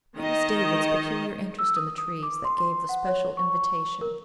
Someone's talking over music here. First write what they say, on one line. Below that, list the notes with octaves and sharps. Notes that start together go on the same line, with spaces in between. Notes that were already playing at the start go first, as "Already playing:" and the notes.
It was David's peculiar interest in the trees that gave the special invitation.
D#3 D#5
E6
D#6
D#6
D6
C6
C6
F#5
C#5
C#6
A#4